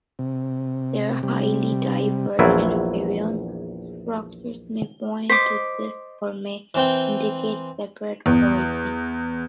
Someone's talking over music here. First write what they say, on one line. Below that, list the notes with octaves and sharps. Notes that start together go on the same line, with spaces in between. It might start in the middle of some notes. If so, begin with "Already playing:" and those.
Their highly divergent virion structures may point to this or may indicate separate origins.
C3
C3 G3
A#1 E2 F#3 E4 F4 G#5
C5 D#5 D6 B6
E3 C4 G5
E2